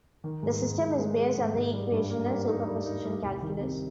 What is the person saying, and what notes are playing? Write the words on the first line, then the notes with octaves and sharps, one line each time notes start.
The system is based on the equational superposition calculus.
D#3
G#2
G#2
G#2
G#3
G#3
G#2
G#2
G3
G2
A#3
G3
D#4
G3
D#4
G3
C2
D#3
C3